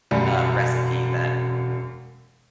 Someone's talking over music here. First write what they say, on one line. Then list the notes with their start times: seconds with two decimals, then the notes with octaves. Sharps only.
uh, recipe that
0.11 E1 F#2 G3